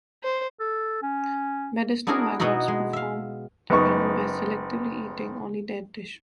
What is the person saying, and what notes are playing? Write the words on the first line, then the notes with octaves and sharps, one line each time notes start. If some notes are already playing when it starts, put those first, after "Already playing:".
Medicinal maggots perform debridement by selectively eating only dead tissue.
C5
A4
C#4
B3 D4 E4 F#4 G#4 A#4
B2 B3 D#4 E4 F#4
G#3
E5 F5
F#1 B3 D#4 C#6